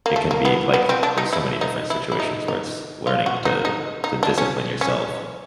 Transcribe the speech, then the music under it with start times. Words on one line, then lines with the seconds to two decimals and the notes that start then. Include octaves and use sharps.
It can be like, there's so many different situations where it's learning to to discipline yourself,
0.06 A#3
0.16 A3
0.31 A#3
0.45 B3
0.74 B3
0.89 C4
1.03 D4
1.18 D#4
1.33 E4
1.61 D#4
1.90 E4
2.12 E4
2.20 D#4
2.48 D#4
3.07 F4
3.26 F#4
3.45 D#4
3.65 D#4
4.04 D#4
4.23 D4
4.38 C#4
4.81 C#4